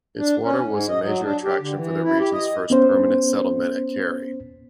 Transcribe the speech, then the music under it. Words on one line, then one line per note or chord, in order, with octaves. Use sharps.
Its water was a major attraction for the region's first permanent settlement at Carey.
D4
C#4
G#2
D#5
F#3
D4
G4
D3
E3
E4
G4
D#5
B3 C#4 C5